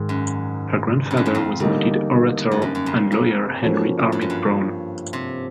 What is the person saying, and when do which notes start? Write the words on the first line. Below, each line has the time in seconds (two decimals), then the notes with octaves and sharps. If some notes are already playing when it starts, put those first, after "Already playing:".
Her grandfather was noted orator and lawyer Henry Armitt Brown.
Already playing: G#2 D#3 G#3
0.09 F#2
1.11 G2
1.17 F#2
1.26 G2
1.35 F2
1.60 E2 D3 G3 A#3 D#4
2.51 G2
2.62 F#2
2.75 F#2
2.86 F2
3.12 F2
3.62 F3 A#3 C#4 F#4 A4
4.12 G2
4.21 F#2
4.30 G2
5.13 C3